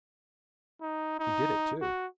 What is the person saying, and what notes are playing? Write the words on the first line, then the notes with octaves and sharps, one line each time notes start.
He did it too.
D#4
D#4
F#4